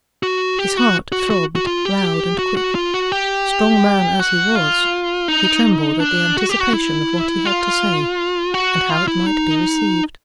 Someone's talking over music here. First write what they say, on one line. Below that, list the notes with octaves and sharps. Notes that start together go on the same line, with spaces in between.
His heart throbbed loud and quick. Strong man as he was, he trembled at the anticipation of what he had to say, and how it might be received.
F#4
G4
F#4
F#4
F#4
F#4
F4
G4
F#4
F#4
F4
F#4
G4
F#4
F4
D#4
D4
F#4
G4
F#4
E4
F4
F#4
F4
E4
D#4